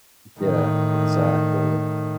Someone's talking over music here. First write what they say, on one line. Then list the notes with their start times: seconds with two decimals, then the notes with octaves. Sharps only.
Yeah, exactly.
0.40 A2 D#3